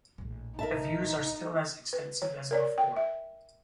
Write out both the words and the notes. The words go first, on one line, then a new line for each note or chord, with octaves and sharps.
The views are still as extensive as before.
A#1 A2
D#4 A#4 D#5 E5 A5
B4
C#5
A#4 C#5 D5
G5
E5